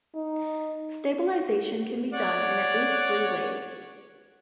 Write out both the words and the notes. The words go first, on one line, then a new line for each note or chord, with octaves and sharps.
Stabilization can be done in at least three ways.
D#4
C#5 D5 F#5